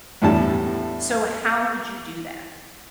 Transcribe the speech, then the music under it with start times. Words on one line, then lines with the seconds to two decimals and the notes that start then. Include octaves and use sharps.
so how would you do that?
0.22 E2 A2 G3 D4 A5